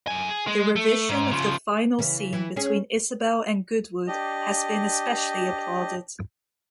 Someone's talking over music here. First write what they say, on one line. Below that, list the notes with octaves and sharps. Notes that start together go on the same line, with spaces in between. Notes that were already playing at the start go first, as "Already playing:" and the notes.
The revision of the final scene between Isabel and Goodwood has been especially applauded.
F#2 G#5
G#4
G#3
A3
G#2
C#3 F3
C#3 E3
E3
C#4 G#4
D4 G4 D#5